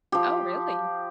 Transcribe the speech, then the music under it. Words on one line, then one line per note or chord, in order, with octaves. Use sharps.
Oh, really?
F3 G4